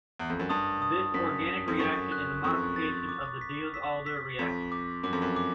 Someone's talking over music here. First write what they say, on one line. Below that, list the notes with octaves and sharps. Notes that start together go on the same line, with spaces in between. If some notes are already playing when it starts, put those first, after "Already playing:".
This organic reaction is a modification of the Diels-Alder reaction.
E2
F2
F#2
G2 D#6
D#6
F#2 B6
B6
F2
F#2 C#6
F#6
F2 C#6
A6
D6
B6
B6
B6
F2 B6
D6
F#2 D6
F2
F#2
D6